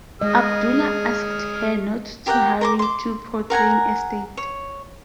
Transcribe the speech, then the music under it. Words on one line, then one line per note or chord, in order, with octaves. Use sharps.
Abdullah asked her not to hurry to proclaim a state.
G#3 G#4 D#5 F6
G4 A#4 F#5 G5
A#4 C6 D6
C6 D6
A#4 F#5 G#5 A#5
C#5